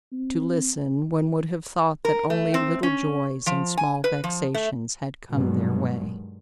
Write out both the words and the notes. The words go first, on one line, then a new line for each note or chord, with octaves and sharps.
To listen, one would have thought that only "little joys" and small vexations had come their way.
C4
A#4
A3
C4
C#4
F3
G#5
B4
F3
A3
G2 B2 D#3 F#3 G#3